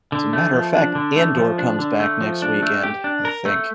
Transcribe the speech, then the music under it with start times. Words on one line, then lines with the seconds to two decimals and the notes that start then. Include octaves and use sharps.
As a matter of fact, Andor comes back next weekend, I think.
0.12 D3
0.33 A3
0.53 F3
0.75 D4
0.95 D3
1.16 A3
1.37 F3
1.58 D4
1.79 D3
2.00 A3
2.21 F3
2.42 D4
2.63 A3
2.83 G4
3.04 D4
3.25 A#4
3.45 A3